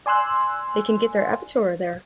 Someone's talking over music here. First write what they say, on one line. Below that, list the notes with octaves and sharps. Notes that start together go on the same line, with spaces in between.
They can get their Abitur there.
D5 G#5 C6 E6 F#6